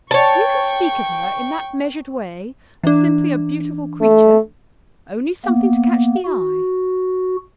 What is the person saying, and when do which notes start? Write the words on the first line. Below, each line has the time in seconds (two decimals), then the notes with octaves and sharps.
You can speak of her in that measured way, as simply a "beautiful creature"--only something to catch the eye.
0.11 C#5 G5 A5 C#6
2.84 E3 D4
4.01 A3
5.45 A#3 B3
6.25 F#4